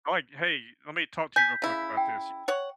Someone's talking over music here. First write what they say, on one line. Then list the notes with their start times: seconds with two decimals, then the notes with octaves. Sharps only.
I like, "Hey, let me talk to you real quick about this.
1.36 G#5 G6 B6
1.62 C#3 E4
1.97 G5
2.48 C#5 F#5